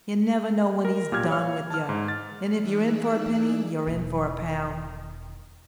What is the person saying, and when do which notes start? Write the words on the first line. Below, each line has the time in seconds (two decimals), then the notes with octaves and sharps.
You never know when he's done with you, and if you're in for a penny, you're in for a pound.'
0.85 A#4
1.11 B1 A#2 G4 F6 G#6
1.30 C#5 F5 F6
1.70 A5 F6
1.89 G#2
2.08 A6
2.59 E3 D#4 G#4 D5 E6 F#6
3.87 E1 E4